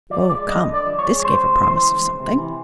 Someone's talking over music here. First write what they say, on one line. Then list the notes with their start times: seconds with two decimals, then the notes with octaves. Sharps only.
Oh come! this gave a promise of something.
0.10 F3 D5
0.29 G#3 D5
0.48 G2 D#5
0.67 D3
0.74 D5
0.86 F3
0.99 C#5
1.05 G#3
1.20 C#5
1.25 C#2 C5
1.43 C3
1.62 E3 C5
1.82 C#2
2.01 C#2
2.19 C3
2.38 E3